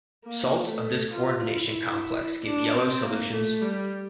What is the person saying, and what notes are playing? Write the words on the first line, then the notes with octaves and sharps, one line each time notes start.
Salts of this coordination complex give yellow solutions.
A#3
A3
F4
E4
D4
C4
A#3
A3
G3